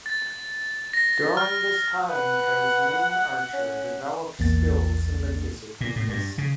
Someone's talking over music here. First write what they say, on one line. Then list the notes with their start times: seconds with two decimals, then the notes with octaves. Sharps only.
During this time, Tasmin Archer developed skills in the music business.
0.06 A6
0.93 A#6
1.37 F6
2.09 B4 F#5
3.53 C#4
4.39 A#1 E2 A#3 A6
5.81 A#2
5.96 A2
6.09 G2
6.38 C#3